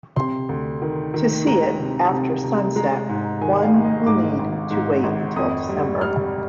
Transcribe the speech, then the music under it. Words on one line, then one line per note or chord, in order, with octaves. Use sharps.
To see it after sunset, one will need to wait until December.
C3 C6
D2
D#3
D#3
G#3 A#5
C3
C3
C3
G#3 A#5
G#2
D#3 G#5
F5
G#1
D#5
G#2 D6
G#1
G#2
G#1
F2 D#6
G3
G3 F6